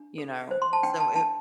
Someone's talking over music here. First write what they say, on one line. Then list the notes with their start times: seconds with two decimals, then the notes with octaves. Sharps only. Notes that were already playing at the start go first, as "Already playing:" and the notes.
you know? So, it
Already playing: D4
0.18 A4
0.51 C5
0.62 C6
0.73 A5
0.83 D4 G5
1.00 A5
1.15 D4 A5